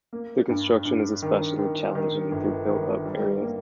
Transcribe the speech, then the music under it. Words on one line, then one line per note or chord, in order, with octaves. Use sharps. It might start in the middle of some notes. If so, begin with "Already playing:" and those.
The construction is especially challenging through built-up areas.
A#3
G2
G2
D#3
D#3
D#3
G1
D#3
G3
A#3